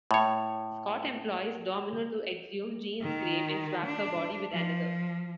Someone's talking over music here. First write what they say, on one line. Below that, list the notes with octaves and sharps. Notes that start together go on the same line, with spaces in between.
Scott employs Domino to exhume Jean's grave and swap her body with another.
A2 C#5
D#3
D4
F3